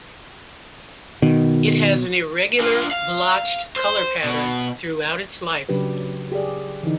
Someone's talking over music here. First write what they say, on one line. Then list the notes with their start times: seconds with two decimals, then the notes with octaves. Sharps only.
It has an irregular, blotched color pattern throughout its life.
1.22 B2 D#3
2.60 D4 F4
2.91 F5
3.76 C5
4.24 B2
5.69 C#3 F#3 D4 G4 B4
6.32 G4 G#4 D5
6.83 D3 E3 D#4